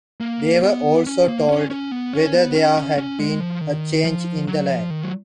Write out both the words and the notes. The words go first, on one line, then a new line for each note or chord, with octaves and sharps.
They were also told whether there had been a change in the lead.
A#3
B3
C#4
A#3
C#4
C#4
B3
C#4
B3
C#4
C#4
C#4
G#3
F3
D#3
F3
F#3
F3
D#3
F#3